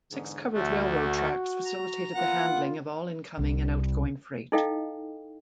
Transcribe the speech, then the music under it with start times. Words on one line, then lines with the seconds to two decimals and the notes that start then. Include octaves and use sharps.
Six covered railroad tracks facilitated the handling of all incoming and outgoing freight.
0.11 E2 G#2 D3
0.53 D2 A3 F#4
1.65 A#5
2.15 A#3 B3 F4 F#5
3.39 C2
4.52 D#4 E4 A4 D#5 F5 G5